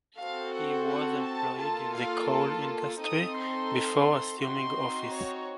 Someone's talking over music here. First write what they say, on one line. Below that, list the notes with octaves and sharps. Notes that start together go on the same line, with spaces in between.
He was employed in the coal industry before assuming office.
C4 F#4 A4 F5
F#5
F#5
A5
A#3 F4 A4 A5
F5
A5
C4 D#4 A4 D#6
C6
C4 D#4 F#4 C6
C#5